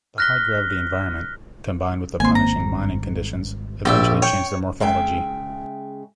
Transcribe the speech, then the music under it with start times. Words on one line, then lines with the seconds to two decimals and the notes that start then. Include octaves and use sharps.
The high gravity environment, combined with the punishing mining conditions eventually changed their morphology.
0.18 F6 F#6 A#6 B6 G7
2.20 G#1 A#3 C4 G#5 C6
2.35 A#5
2.60 G3
3.85 A#1 G4 D5 E5
4.22 C#5 G5
4.80 C#3 G#3 E5 G5